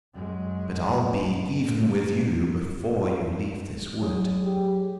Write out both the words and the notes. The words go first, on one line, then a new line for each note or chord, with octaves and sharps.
"But I'll be even with you before you leave this wood."
F#2 G#3
F#3 G#4
G4